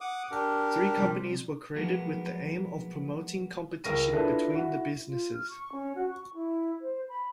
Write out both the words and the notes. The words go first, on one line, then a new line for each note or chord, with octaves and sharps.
Three companies were created with the aim of promoting competition between the businesses.
F#5 D6 D#6
D4 G4 A#4
C3 F3 G3
F3 F#3 G#3 A#3 B3
C#2 A#4 C#6 A#6 D#7
D4 E4 F4 A4 B4
E4 F#4
F4
F6
C#6
C#4
F#4
C#6
E4
C5
B5